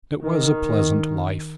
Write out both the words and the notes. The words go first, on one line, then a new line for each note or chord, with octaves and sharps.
It was a pleasant life.
D#3